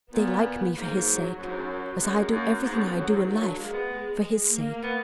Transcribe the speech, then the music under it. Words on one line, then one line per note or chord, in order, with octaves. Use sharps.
They like me for his sake, as I do everything I do in life for his sake.
A#2 B3
G#2 A#3
F#3
F#2 F#3
G#2
F#2
F#2 G#3
F#2 A#3
G#2 B3
F#2
F2
F#2 F#3
G#2
A#2 F#3
D3
G#3 A#3
B3
G#3
G#3
A#3
B3